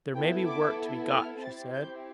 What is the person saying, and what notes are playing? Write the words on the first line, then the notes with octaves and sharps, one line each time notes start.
'There may be work to be got,' she said.
B3 E4 A4 G5
D6
F6
C4 E4 G4 A6
G6